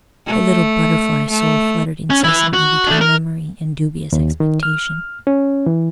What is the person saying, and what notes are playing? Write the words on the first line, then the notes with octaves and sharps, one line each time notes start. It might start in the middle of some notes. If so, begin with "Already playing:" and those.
Her little butterfly soul fluttered incessantly between memory and dubious expectation.
A3
A3
C#4
E3 E4
F#4
A3 D4
A#4
D#2
D#3
F6
C#4
E3